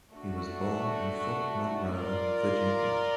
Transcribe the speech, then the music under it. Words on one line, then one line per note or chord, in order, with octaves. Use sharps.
He was born in Fort Monroe, Virginia.
A3 D4 F#4
F4 A#4 D5